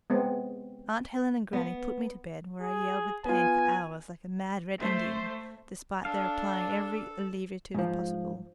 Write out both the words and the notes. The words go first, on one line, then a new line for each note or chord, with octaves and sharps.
Aunt Helen and grannie put me to bed, where I yelled with pain for hours like a mad Red Indian, despite their applying every alleviative possible.
G#3 B3 C4
B3
G#4
B3 F4 G#5
A3 C5
D4 A4 F5 A5
G#2 F3